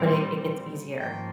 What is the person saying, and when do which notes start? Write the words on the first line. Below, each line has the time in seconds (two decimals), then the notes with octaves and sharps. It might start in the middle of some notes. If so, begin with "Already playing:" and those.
but it it gets easier.
Already playing: A#2 G3 C4
0.99 G#2 F3 A#3 C#4 G5